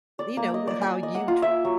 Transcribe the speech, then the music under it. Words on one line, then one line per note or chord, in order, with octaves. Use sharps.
you know, how you tr
D5
A#3
D#5
D5
G#5
D#5
F#5
F4
E5
F#3